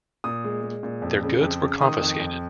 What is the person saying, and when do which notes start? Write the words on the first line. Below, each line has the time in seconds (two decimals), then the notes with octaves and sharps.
Their goods were confiscated.
0.24 A#2 D#6
0.44 G#3
0.63 G#3
0.83 A#2
1.02 F2
1.23 C#3
1.41 F2
1.62 C#3
1.81 D#3 D#6
2.01 F2
2.20 F2